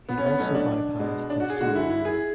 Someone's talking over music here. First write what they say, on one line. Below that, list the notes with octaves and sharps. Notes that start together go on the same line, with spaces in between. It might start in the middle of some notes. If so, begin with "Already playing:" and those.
He also bypassed his senior year.
B3
C#4
B3
B2 F#3 A3 C#4
D4
B2 G#3
D4
F#4
G#4
D3 G#3 F#4
E4
E4
G#4